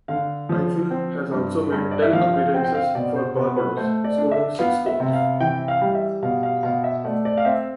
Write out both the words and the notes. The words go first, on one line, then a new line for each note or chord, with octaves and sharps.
Ifill has also made ten appearances for Barbados, scoring six goals.
D3 F5
F3
C4
G2
G2
D5
E5
F3 F5
F5
C4 G5
G5
F5
B2 D5
C5
B2 B4
B4
A3 C5
D5
D4
E5
B3 F5
E5
C3
F5
E3 G5
F5
G3
E5
B2 F5
F5
B2 F5
E5
A3 D5
D5
F5
C4 E5